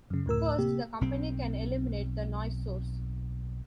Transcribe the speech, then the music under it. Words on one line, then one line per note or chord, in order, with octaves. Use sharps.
First, the company can eliminate the noise source.
F#2 C#3
D2 A2 A#4 E6
C3 A#3 G4
B1 C4